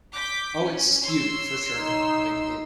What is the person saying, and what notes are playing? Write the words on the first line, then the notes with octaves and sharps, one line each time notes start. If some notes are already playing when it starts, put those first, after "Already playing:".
Oh, it's skewed for sure. Like, it
D6 G6 B6
C#4
C#5 C6 E6
D#4